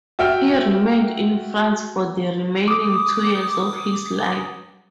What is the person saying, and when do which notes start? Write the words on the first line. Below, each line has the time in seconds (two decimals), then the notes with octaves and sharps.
He remained in France for the remaining two years of his life.
0.19 F#4 E5 G5 F6
2.68 D6 D#6